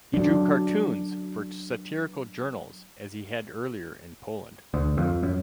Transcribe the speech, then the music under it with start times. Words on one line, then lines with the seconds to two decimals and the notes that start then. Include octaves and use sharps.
He drew cartoons for satirical journals, as he had earlier in Poland.
0.14 F#3 D4
4.74 D2
4.98 F2
5.23 F#2